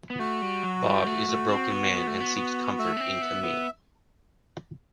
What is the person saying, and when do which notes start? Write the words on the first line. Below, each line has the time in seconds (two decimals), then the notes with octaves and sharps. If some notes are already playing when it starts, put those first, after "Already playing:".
Bob is a broken man and seeks comfort in Camille.
0.10 B3
0.19 A3 F#4
0.42 G3
0.63 F#3
0.85 G3
1.06 A3
1.28 A3
1.49 C4
1.70 B3
1.93 B3
2.07 A3
2.20 B3
2.36 B3
2.79 A3 E5
2.97 B3
3.00 C4
3.22 B3
3.43 B3